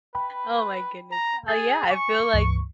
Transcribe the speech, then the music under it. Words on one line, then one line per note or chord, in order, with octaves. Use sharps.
Oh my goodness. Uh, yeah, I feel, like
B4 G5 B5
A#5
G#4 A6
G#5 C#6
C#2 G2 E3